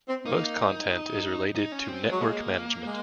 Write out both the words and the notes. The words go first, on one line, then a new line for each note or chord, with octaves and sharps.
Most content is related to network management.
C4
A#3 D#4
D#4
C#4
C4
G#3
F#3
G#3 A#3
G#3